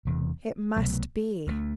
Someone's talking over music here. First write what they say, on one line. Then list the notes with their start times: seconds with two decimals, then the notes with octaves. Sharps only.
"It must be."
0.05 E1 E2 C3
0.76 C2 B2 F#3 A3
1.47 D2 D3 A3